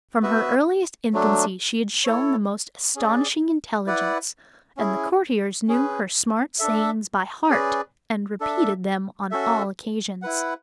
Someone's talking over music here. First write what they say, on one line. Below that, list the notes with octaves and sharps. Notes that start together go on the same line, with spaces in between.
From her earliest infancy she had shown the most astonishing intelligence, and the courtiers knew her smart sayings by heart, and repeated them on all occasions.
B3 F#4 B4 E5
F#3 A3 D4
E4 A4 C#5
C#4 G#4 D5
E4 B4 D5 F#5
C#4 E4 G#4
C#4 G#4 B4
D4 A4 E5
C#4 G#4 B4 D5
D4 A4 E5
C#4 F#4 A4 E5
E4 B4 F#5